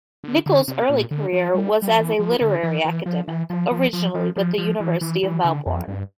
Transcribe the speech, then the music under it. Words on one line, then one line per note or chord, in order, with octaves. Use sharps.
Nicholls' early career was as a literary academic, originally with The University of Melbourne.
D3
D3
C3
A#2
D3
F3
G3
G3
F3
E3
F3
D3
E3
E3
F3
E3
F3
F3
F3
F3
F3
F3
E3
E3
E3
D3
F2
G2